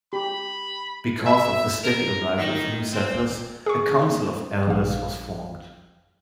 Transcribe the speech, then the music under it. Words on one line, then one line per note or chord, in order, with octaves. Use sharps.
Because of the steady arrival of new settlers, a council of elders was formed.
G4 B5
E5
A#4
D#3
C4
G#4 C#6
A#1 F5